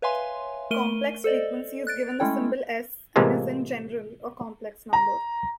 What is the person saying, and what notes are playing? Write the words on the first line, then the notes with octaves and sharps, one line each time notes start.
Complex frequency is given the symbol "s" and is, in general, a complex number.
B4 C#5 E5 F5 G#5 C6
A3 A#4 D#7 G7
A4 C5 D5 D#5
F#6 A6 D7
G#3 A3 C#4 E4 A4 G5
A2 C3 E3 G#3 A#3 F4
A#5